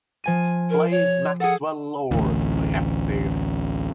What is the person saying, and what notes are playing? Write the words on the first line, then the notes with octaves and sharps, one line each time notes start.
Plays Maxwell Lord in the episode.
F3 G#5 D#7
A#4
C#5
G#4 A4 F#5
A1 D2